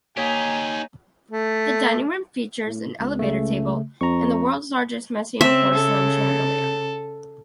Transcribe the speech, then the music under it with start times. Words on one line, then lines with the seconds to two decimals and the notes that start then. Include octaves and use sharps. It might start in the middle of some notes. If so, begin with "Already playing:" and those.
The dining room features an elevator table and the world's largest Meissen porcelain chandelier.
0.17 A#3 D#4 G4 C#5 G#5 B6
1.31 A3
2.66 A2
3.00 C#2
3.19 C#3 A3
4.01 F2 A#5 C#6
5.41 C#3 C4 E5
5.74 A4